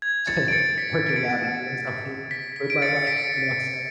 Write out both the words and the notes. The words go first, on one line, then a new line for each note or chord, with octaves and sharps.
to working out and doing something with my life, you know what I'm saying,
G#6
A6 C#7
D7
A6 C#7
B6
D7
A6 C#7
B6
B6
D7
A6 C#7
C#7
B6 D7